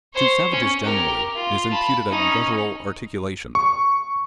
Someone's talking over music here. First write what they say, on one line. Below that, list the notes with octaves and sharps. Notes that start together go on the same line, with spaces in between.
To savages generally is imputed a guttural articulation.
C5 C#5
C#4
G4 A#4
F4
A5 B5
C#4 D#4
C#6